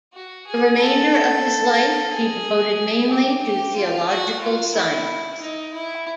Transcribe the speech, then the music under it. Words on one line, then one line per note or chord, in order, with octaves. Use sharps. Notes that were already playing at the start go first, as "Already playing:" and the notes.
The remainder of his life he devoted mainly to theological science.
F#4
G#4
A4
G#4
G4
G4
F4
F#4
F4
E4
D#4
E4